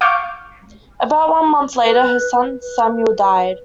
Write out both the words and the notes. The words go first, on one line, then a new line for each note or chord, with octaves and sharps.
About one month later, her son Samuel died.
F5 C#6 D6 F6 G6
B4
B4